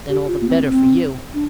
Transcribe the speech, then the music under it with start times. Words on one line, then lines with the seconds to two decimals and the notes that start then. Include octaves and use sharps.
Then all the better for you.
0.09 G4
0.28 F4
0.41 A#3
0.47 C4
0.66 C4
1.34 D4